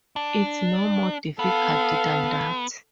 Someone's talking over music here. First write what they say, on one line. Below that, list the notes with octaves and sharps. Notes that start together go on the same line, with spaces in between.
It's no more difficult than that!
D4
B3 A4 F5